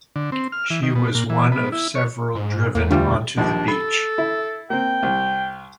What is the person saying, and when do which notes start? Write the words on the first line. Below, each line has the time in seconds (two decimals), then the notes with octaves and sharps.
She was one of several driven onto the beach.
0.16 D3
0.32 C4
0.52 F6
0.70 E3
0.83 D#3
0.95 B2
1.15 A#2
1.30 E3
1.52 B3
1.72 E4
1.95 C#5
2.35 G#2
2.75 E2 A#3
2.91 D2 G3 D4 F4
3.37 A#1 D#2 D4
3.68 A4 B5
4.18 E4
4.70 A#3 C4 G5
5.03 C2